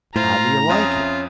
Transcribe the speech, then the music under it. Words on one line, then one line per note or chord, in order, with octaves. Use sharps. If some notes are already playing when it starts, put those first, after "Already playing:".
How do you like it?
A2 E4 F4 C5 A#5
F2 C#4 F4 E5 D#6